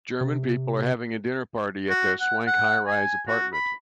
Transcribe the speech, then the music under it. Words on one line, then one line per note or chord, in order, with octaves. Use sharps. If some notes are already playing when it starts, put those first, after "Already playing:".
German people are having a dinner party in their swank highrise apartment.
C3
F#4
F#5
F#5
G#5
F#4
B5